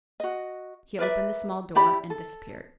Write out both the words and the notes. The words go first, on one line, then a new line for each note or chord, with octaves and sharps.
He opened a small door and disappeared.
F#4 D#5
A#4 B4 D5 E5
E4 G4 D5 B5
A4